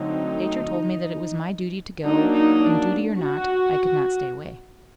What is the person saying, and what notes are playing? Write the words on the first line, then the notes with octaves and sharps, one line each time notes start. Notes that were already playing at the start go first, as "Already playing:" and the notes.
Nature told me that it was my duty to go, and duty or not, I could not stay away.
Already playing: D3 F#3 A3 C4 D#4
F#3 A#3 D4 D#4
D#4
D4
F#4